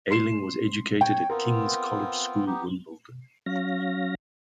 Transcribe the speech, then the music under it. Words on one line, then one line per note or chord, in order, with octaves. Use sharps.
Ayling was educated at King's College School, Wimbledon.
C6 C7 E7
C#5 G5
B3 C4 F4 A#4
B3 D#4 G4
F#3 C#4 F5 A#6